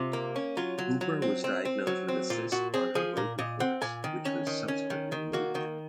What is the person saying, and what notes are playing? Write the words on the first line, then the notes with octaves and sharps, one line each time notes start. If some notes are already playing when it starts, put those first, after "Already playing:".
Hooper was diagnosed with a cyst on her vocal cords which was subsequently removed.
Already playing: C3 F4
A#3
C#4
F#3 F4
F#3
F#3
C4
C4
C4
F#3
C4
A#2 F4
A#2 F#4
C4 G#4
F3 G#4
A#2 A#4
A#2 D#5
C4 F#5
A#2 G#5
D#3
C#4
D#3
C#4
D#3
D#3
A#3 F#4
D#3